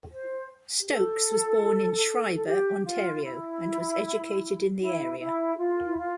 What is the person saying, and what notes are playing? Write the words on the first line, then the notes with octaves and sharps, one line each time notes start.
Stokes was born in Schreiber, Ontario and was educated in the area.
C5
A4
A4
G4
F4
E4
E4
E4
F4
E4
F4